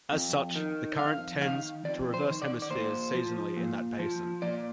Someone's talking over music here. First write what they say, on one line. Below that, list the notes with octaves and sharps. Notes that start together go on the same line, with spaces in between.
As such, the current tends to reverse hemispheres seasonally in that basin.
F2
D#3
F2 F5
D#3 F5
F2 D5
C5
D#3
D5
D5
A#2 C5
F3
A#2
F3
A#2 D5